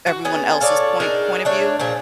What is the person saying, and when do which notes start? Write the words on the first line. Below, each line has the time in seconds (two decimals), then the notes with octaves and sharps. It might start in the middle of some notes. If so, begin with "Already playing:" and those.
everyone else's point point of view,
0.07 F#4
0.25 B3 C#4 G#4
0.61 F4 A4 C#5 D5
1.00 D4 D#4 G#4 A#4
1.45 A3 D4 C#5
1.79 A#2 F3 G#4